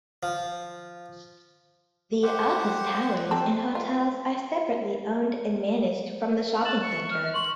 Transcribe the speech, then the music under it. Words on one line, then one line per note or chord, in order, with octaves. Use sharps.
The office towers and hotels are separately owned and managed from the shopping center.
F3
G4 C5 F#5
C4 A4
F4
F#6 A6 E7 F#7
C#6
F6
C6 C#6 F#7